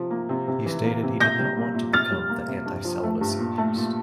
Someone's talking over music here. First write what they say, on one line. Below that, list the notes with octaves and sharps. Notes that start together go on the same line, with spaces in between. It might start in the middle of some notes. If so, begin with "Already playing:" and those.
He stated he did not want to become the "anti-celibacy priest".
Already playing: C3 F3
A#3
C3
C3
E3
A#3
C3
A#2 G6 A#6
G3
A#3
A#2
C3 F6 A6
G3
A#3
C3
G2
F3
A3
G2
A#2
A3
A#2